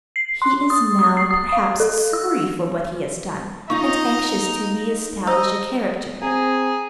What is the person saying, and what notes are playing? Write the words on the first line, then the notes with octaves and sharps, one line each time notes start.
He is now, perhaps, sorry for what he has done, and anxious to re-establish a character.
C7
C6
D#6
D#6
C7
D#6
F5
A4
E6
D#4 F4 D#5 A#5 C#6
C5 D#5 A#5 E6
C4 G#4 A#5